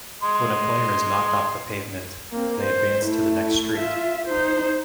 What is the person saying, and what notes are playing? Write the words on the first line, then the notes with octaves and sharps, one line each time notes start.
When a player is knocked off the pavement, they advance to the next street.
D#5 C6
A#3 C4
C5
A3 E4
F4 E5
D#4 C5